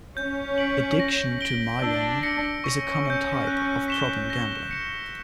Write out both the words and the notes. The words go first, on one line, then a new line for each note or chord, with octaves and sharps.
Addiction to Mahjong is a common type of problem gambling.
C#4 G6
B6 D7 F#7
A#6
D7 G7
D4 E6
A#6 C#7
C#4 C#6
G6 C#7
F#6
B6 E7 G7
A#6
C#7 E7